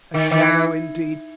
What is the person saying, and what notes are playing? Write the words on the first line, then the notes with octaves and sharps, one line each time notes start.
A shadow indeed!
D#3
D#3
E3